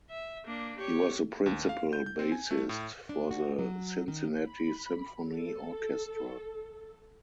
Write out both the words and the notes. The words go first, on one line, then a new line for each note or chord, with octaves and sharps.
He was the principal bassist for the Cincinnati Symphony Orchestra.
E5
A#3 D4
G4 C#5
D#2
F5
G6
G6
C4
G#5
A3
A2
D4
F#4
F#3
D#3
B5
A4